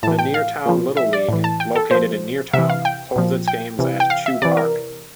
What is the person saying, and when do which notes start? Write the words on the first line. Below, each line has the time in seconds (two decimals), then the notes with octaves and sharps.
The Neartown Little League, located in Neartown, holds its games at Chew Park.
0.03 A2 E3 A5
0.19 G5
0.34 F5
0.66 A#2 F3
0.97 E5
1.13 D5
1.29 A2 E3
1.44 A5
1.60 G5
1.75 A4
1.91 A#2 F3 C5
2.54 C3 E3 E5
2.70 F5
2.85 G5
3.16 A#2 F3
3.48 G5
3.79 C3 E3
4.00 G5
4.10 F5
4.26 E5
4.42 C3 E3 D5
4.57 A#4